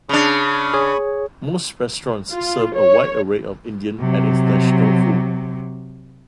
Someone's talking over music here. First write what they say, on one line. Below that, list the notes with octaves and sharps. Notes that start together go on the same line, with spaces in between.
Most restaurants serve a wide array of Indian and International food.
C#3 D4 B5 C#6 D#6
G#4 C#5
F4
C#5
C3 F#3